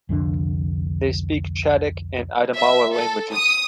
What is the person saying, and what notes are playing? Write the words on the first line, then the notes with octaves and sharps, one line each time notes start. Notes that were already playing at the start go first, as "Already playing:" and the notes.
They speak Chadic and Adamawa languages.
C2 F2 D3 D4
E5
A4
D#6